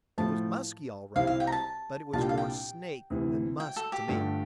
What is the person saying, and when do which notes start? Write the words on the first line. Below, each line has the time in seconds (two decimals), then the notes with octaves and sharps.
It was musky all right, but it was more snake than musk to me.
0.18 A2 F3 A3 A5
1.15 C2 C3 G3 C4 E4 F5
1.27 F5
1.40 G5
1.47 A#5
1.52 A5
2.13 C2 A#2 G3 D4 F4 A5
2.21 G5
2.29 F5
2.38 G5
3.10 D2 C3 E3
3.60 G5
3.76 A4
3.92 G4
4.08 G2 D3 A3 D4 F4